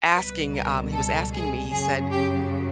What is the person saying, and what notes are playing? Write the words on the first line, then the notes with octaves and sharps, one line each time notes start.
asking, um he was asking me, he said,
C#2 B2 G3 B4
A#4
A4
G#4
F#2 C#3 F#3 G#4
G4